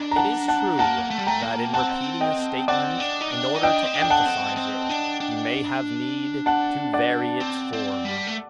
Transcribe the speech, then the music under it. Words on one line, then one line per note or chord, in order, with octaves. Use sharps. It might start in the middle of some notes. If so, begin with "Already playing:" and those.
It is true that in repeating a statement in order to emphasize it he may have need to vary its form.
Already playing: D4
A#5
F#5 A5
F#5 A5
A#3 F#5 A5
A3
G3
A3 G5 A#5
A#3
C4 F#5 A5
D#5 G5
C4 D5 F#5
D4
D#4
D4
D#4
D4 D#5 G5
C4
D4
G5
F#5 A5
C4
C4
D4
D4
F#5 A5
D5 F#5
C4
C4
G3
A3